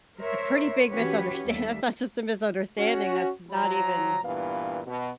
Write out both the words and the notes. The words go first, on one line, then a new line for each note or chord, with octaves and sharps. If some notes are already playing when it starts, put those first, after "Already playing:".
a pretty big misunderstand that's not just a misunderstanding, that's not even
A#4 C5 C#5 E5
E3 C#4 F#4 G4 B4 C#5
D#2 G3 A3 E5
C#4 F#4
F3 F#3 A#5
G2 A#2 E3 B3 F5
B2